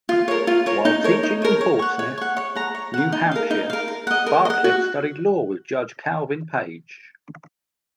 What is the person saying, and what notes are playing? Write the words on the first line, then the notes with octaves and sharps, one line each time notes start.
While teaching in Portsmouth, New Hampshire, Bartlett studied law with Judge Calvin Page.
F4
A#4 C#5
F4
A#4 C#5
D#4
A#4 C#5
D#4
A#4 C#5
C#5
F#5 C#6
C#5
F#5 C#6
C#5
F#5 A#5
C#5
F#5 A#5
D#4
A#4 F5
D#4
A#4 F5
A#4
D#5 F#5
A#4
D#5
F#5
F#4